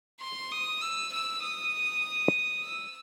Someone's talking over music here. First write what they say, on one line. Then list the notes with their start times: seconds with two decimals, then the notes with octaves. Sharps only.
The Red Lodge cemetery contains a memorial.
0.21 C6
0.51 D#6
0.82 E6
1.13 E6
1.43 D#6
2.64 E6